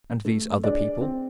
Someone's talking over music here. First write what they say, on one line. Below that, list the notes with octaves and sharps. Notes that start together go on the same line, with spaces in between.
"And these other people?"
A3
D4 G#4 D5
C4